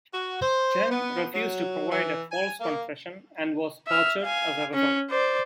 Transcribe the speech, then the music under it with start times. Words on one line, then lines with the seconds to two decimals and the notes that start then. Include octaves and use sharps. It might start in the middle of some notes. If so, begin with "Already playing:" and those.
Cheng refused to provide a false confession, and was tortured as a result.
0.12 F#4
0.42 C5
0.90 B3
1.34 F#3
1.92 E3
2.31 G#5
2.61 A#3
3.87 E5 F6
4.21 F5 G#5
4.74 C#4
5.10 C5 D5